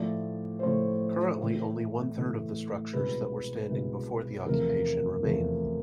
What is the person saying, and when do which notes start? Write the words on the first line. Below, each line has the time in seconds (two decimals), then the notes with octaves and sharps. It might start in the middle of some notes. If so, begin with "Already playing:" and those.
Currently, only one third of the structures that were standing before the occupation remain.
Already playing: A2 F3 A3 D5
0.59 C5
0.63 A2 F3 A3 C#5
1.40 A2 E3 A3
2.16 A2 E3 A3
2.93 C2 B2 G#3 B4
3.70 C2 B2 G#3
4.46 E2 C3 F3 A3 A#4
5.23 E2 C3 F3 A3